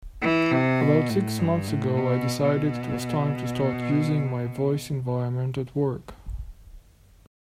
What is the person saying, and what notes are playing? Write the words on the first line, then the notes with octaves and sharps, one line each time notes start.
About six months ago, I decided it was time to start using my voice environment at work.
E3
C3
B2
A2
G2
A2
B2
B2